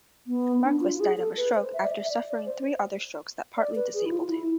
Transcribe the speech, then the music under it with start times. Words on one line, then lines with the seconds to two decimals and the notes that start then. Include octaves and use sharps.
Marquis died of a stroke after suffering three other strokes that partly disabled him.
0.27 B3
0.64 D4
0.81 F4
0.96 F4
1.00 G#4
1.18 A4
1.37 B4
1.55 C5
1.74 E5
1.85 D5
1.91 E5
2.10 D5
2.29 D5
2.46 C5
3.57 D5
3.75 B4
3.94 G#4
4.06 E4
4.12 F4
4.30 E4